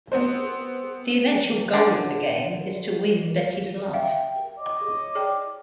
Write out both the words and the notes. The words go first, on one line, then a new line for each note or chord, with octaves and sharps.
The eventual goal of the game is to win Betty's love.
B3 C4 C5
D3
E5 F5 G5
C#5 D#5 D6
G#4 D5 G5